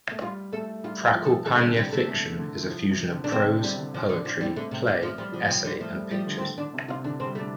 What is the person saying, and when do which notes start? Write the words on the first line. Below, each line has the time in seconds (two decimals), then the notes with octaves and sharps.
Prakalpana fiction is a fusion of prose, poetry, play, essay, and pictures.
0.11 A3
0.21 G3 F4
0.53 A3 A4
0.84 G3 F4
1.04 G4
1.15 F3
1.25 A4
1.46 D3 A4
1.56 C3 A3
1.61 G3
1.64 D3
1.77 D3 G3
1.93 A3
2.08 C3
2.39 D3
2.62 D3
2.70 F3
2.90 C3
3.11 D3
3.24 D4
3.32 C3 C4
3.47 D3
3.63 C3 G3
3.78 D3
3.94 F3 D4
4.09 D3
4.15 D4
4.25 F3
4.35 C4
4.41 G3
4.56 D3 A3
4.71 C3
4.87 D3
5.03 F3
5.18 F3 G3
5.32 D3 F3
5.45 C3 G3
5.64 D3
5.80 F3 A3
5.96 G3
6.11 F3 G3
6.27 D3
6.38 C4
6.42 D3 A3
6.58 D3 D4
6.73 C3
6.88 C3 F4
7.04 D3 D4
7.20 C4
7.25 G3
7.35 A3
7.39 D4